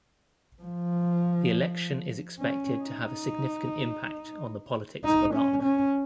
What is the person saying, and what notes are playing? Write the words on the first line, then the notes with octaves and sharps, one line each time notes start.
The election is expected to have a significant impact on the politics of Iraq.
F3
C#4
D#4
D#4
C#4
C#4